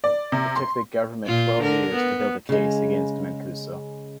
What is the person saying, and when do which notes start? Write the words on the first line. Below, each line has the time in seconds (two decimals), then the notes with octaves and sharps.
It took the government twelve years to build a case against Mancuso.
0.04 D5
0.32 C3
0.56 C6
1.26 A#2 F4
1.59 D3 A#4
1.94 B3
2.49 C#3 G#3